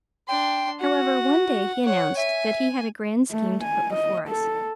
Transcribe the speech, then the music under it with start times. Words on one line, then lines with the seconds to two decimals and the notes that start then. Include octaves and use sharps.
However, one day he announced that he had a grand scheme to put before us.
0.29 D4 G5 C6
0.81 F#4 F#5
1.84 C#5 F#5
2.17 E5 G#5
3.31 A3
3.64 G#5
3.94 D#5
4.29 A4